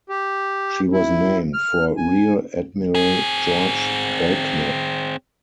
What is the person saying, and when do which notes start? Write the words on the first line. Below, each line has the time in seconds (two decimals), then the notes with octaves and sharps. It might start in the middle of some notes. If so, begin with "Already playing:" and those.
She was named for Rear Admiral George Belknap.
0.09 G4
0.93 E4
1.54 F6
1.97 G#5
2.95 C4 G#4